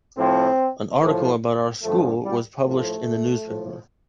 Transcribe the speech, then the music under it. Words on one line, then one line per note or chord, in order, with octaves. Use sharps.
An article about our school was published in a newspaper.
A2 F3 C4
A2 F3
G2 D3 F3 A3
G3
A2 F3 A3
A2 F3